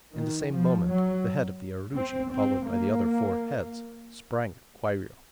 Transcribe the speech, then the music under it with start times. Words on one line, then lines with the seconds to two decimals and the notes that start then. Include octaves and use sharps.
In the same moment the head of the aruji, followed by the other four heads, sprang at Kwairyo.
0.16 D#3
0.52 F3
0.88 F#3
1.95 C4
2.31 C4
2.67 A#3